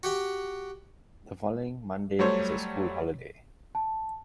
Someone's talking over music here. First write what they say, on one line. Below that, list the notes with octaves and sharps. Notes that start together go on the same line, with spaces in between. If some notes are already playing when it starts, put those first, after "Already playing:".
The following Monday is a school holiday.
F#4 G4 F#5
F#3 G3 A3 C5 C#5
A5